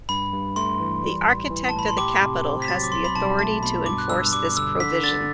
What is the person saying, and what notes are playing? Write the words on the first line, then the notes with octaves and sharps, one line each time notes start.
The Architect of the Capitol has the authority to enforce this provision.
G2 B5
G2
A3 C6
E3
G3
A1
E3
A5
A2 B5
C6
G4 D6
C3
C4
B6
F#3 A6
D6
B1 C6
B5
B1 A5
A3 A5
B2 B5
G2 D6
F#6
G2 E6
G3 D6
D3 E6
D3 B6
D3 A6